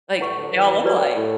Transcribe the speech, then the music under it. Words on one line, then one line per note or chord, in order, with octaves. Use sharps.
Like, they all look alike.
A2 E4 B4 F#5 C#6
D2 D3
F#3
E2 E3
F#2 F#3 E4 G4 B4 D5
F#2 F#3
A2